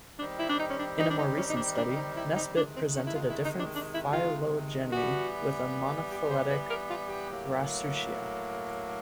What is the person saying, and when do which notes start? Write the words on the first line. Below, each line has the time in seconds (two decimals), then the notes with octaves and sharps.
In a more recent study, Nesbitt presented a different phylogeny with a monophyletic Rauisuchia.
0.19 D#3 G3 C4 D4
0.39 E4
0.50 D4
0.59 D#4
0.69 C#4
0.79 D4
0.99 D#4
1.10 D4
1.18 D#4
1.38 C#4
1.50 D#4
1.57 D4
1.77 D4
1.96 D#4
2.17 E4
2.36 D#4
2.55 C3 D#3 G#3 D4
2.76 C4
2.95 C#4
3.07 E4
3.15 F4
3.30 E4
3.45 D#4
3.59 D4
3.74 D4
3.94 E4
4.13 F4
4.93 E3 G3 B3 F#4
6.11 G4
6.30 C5
6.50 B4
6.69 A#4
6.90 F4
7.09 G4
7.29 A2 F#3 A#3